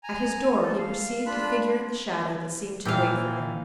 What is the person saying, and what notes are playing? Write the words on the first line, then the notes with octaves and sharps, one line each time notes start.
At his door he perceived a figure in the shadow that seemed to wait for him.
G#5 A#5
A4
F5
D4 F4 B5 F#6
A#2 E3 F5 G5